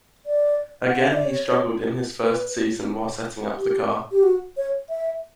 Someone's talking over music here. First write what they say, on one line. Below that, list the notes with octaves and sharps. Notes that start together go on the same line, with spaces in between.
Again he struggled in his first season while setting up the car.
D5
F#5
E5
D5
C#5
B4
G4
G4
F#4
C#5
E5